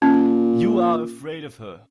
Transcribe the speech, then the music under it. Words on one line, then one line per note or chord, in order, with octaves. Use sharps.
You are afraid of her!
A#2 C#4